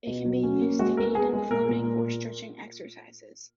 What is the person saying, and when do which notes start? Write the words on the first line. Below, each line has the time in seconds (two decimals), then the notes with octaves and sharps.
It can be used to aid in floating or stretching exercises.
0.07 B2
0.25 F#3
0.43 C#4
0.61 A#3
0.79 G#3 F#4
0.97 B3 A#4
1.15 B3 G#4
1.33 G#3
1.50 A#2 A#4
1.69 A#2